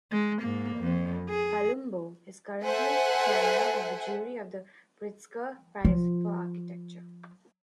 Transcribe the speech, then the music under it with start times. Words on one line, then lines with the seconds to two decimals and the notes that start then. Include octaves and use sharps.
Palumbo is currently chairman of the jury of the Pritzker Prize for Architecture.
0.12 G#3
0.42 G#2 A#3
0.77 F2
1.29 G#4
2.64 A4 C5 E5 F#5 G#5
5.85 F3 F4